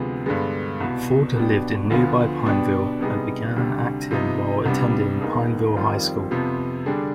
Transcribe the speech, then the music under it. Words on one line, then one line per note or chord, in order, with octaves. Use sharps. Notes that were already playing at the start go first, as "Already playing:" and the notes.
Ford lived in nearby Pineville and began acting while attending Pineville High School.
Already playing: D2 C3 F3 G#3 B3
G2 D3 G#3 B3
C2 B2 B3
B2 B3 D4 G4
D2 D3 F3 B3 F4
B2 B3 D4 G4
C3 G3 B3 D#4 G#4
D2 C3 G3 D4
C3 F3 B3 D#4
C2 C3 G3 B3 D4
D#2 D#3 B3 D#4 G#4
F2 D#3 G3 C4 F4
F2 C3 F3 B3
D3 G3 D4 G#4